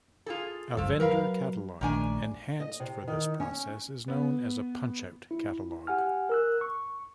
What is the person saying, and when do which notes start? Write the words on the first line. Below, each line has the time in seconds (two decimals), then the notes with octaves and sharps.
A vendor catalog, enhanced for this process, is known as a punchout catalog.
0.26 F4 G#4 A4
0.77 F#1 C#2 G2 F3 A4
1.00 F#3 A#4 B4 F5
1.81 A#1 D3 D#3 A3 D4 G#5
2.60 D#5
2.80 C3
3.08 D#3
3.40 C#4
4.08 B3
5.31 E4
5.87 G4 F#5 G#5 F6
6.30 A#4 E6 F#6
6.61 C#6